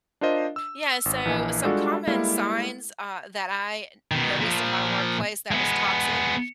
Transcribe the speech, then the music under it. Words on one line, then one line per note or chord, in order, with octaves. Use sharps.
Yeah, so some common signs, uh, that I noticed in my workplace that was toxic
D4 F4 A#4 C5 D#5 F5
E6
G#1
A#1 E3 A#3 D#5 G#5
G3 G#3 D4 F4 F#4 A4
G3 G#3 A#3 E4 A4 F5
B2 D#3
A#2 F3
G#3 B3